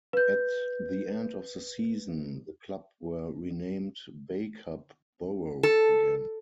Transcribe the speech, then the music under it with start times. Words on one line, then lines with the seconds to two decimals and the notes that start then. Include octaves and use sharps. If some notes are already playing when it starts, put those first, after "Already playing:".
At the end of the season the club were renamed Bacup Borough again.
0.13 B4 G6
5.63 A4